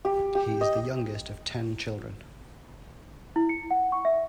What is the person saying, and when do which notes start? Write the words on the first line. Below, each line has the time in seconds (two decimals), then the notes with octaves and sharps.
He is the youngest of ten children.
0.05 G4
0.35 G4
0.61 D#5
3.36 E4
3.49 C#7
3.71 F#5
3.92 C#6
4.05 E5